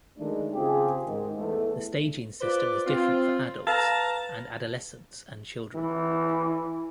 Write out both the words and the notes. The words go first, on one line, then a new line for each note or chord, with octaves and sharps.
The staging system is different for adults and adolescents and children.
D#3 F#3 G#3 A3 D4 D#4
C#3 C4 F4 G4 G#4
G#2 D#3
E2 A3
F4 B4 C5 D5
C4 F4
B4 F5 A5 A#5
E3